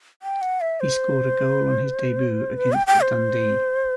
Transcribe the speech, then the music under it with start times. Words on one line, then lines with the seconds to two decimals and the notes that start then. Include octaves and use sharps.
He scored a goal on his debut against Dundee.
0.23 G5
0.42 F#5
0.61 E5
0.80 C5
2.57 B4
2.73 G5
2.87 G5
3.02 C5